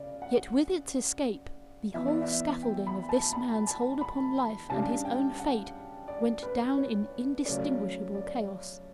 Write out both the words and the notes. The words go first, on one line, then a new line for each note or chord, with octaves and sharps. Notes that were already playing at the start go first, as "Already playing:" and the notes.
Yet with its escape, the whole scaffolding of this man's hold upon life and his own fate went down in indistinguishable chaos.
Already playing: C#3 D5
F#5
E3 B3 E4 E5
D5
E5
G5
B5
A5
B5
A5
B5
C#3 G3 D4 A5
G5
F#5
D5
B4
C#5
C#3 F#3 A3 C#4 D5
D5